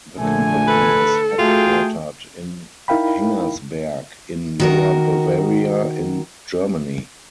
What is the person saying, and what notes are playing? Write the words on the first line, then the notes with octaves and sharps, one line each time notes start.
The company is headquartered in Hengersberg, in Lower-Bavaria in Germany.
A#1 D3 A3 G#5
A4 B4
A3 F4 F#4 G#4 G5
D#4 E4 A#4 F5 G5 B5
D#3 F#4 A#4